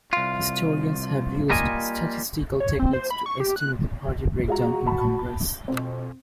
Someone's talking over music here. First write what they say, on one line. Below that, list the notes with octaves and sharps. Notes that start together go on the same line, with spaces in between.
Historians have used statistical techniques to estimate the party breakdown in Congress.
C2 F4
G3 A#3 F4 D#5 G#5
C#5
C4
C5
B5
C#6
G4
F#6
G#3 F4 F#4 A#5
A5 B5
F2 B2 C4